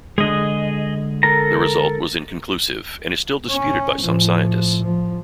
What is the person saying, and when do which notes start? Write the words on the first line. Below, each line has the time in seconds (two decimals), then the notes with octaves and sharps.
The result was inconclusive, and is still disputed by some scientists.
0.18 D3 G#3 G#4 D#5
1.23 A4 A#4 A#5
3.50 C#4
4.01 A2 F3
4.82 F3